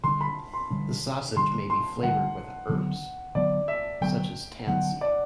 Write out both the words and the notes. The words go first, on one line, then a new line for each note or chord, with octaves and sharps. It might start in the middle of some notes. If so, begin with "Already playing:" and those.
The sausage may be flavoured with herbs, such as tansy.
D3 G3 D4 C6
B5
C6
D3 G3 D4
D3 G3 D4 C6
C6
D3 G3 D4 F#5
D3 F#3 B3 D4
D3 F#3 B3 D4 D5
E5
D3 F#3 B3 D4 G5
D3 F#3 B3 D4 F#5
D5